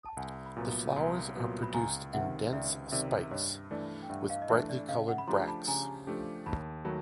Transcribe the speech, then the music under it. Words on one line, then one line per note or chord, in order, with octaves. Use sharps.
The flowers are produced in dense spikes, with brightly coloured bracts.
A5
C2 F#5 G#5
B5
A#2 F#3 B3 G#5 A#5
C2 A#5 C6
A#2 F#3 B3
B5
C#2 G#5 A#5
C3 D#3 E5 F#5
C#2 D5 E5
C3 D#3 D5 E5
E5
G2 C#5 D#5
E3 A3 D4 D5 E5
G5
G2 E5 F#5
D#5 F5
D#5
E3 A3 D4 D5 E5
D5 E5
C#3 D#5 F5
E5 F#5
B5
F3 A3 D4 G4 A#5 C6
A5 B5
C#3 G#5 A#5
F3 A3 D4 G4
D#2 A5 B5
D#3 F#3 A3 A5 B5